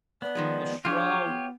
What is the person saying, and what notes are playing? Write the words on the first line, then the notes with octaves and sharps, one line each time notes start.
The shroud!
B3 D5
D#3 F3 G#3
F3 D4 F4 G4 G#4 C#5
B3